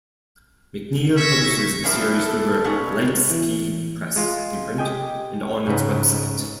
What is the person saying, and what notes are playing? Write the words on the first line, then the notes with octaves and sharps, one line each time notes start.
McNeil publishes the series through her "Lightspeed Press" imprint and on its website.
E5 C#6 G#6 A#6
F#2 F3 G3 A#4 E5 A5
A4 A5
A#2 B3 C#4 D#4
E3
G#3 F4
G4 D#5 G5 G#5
G#2 C#3 B4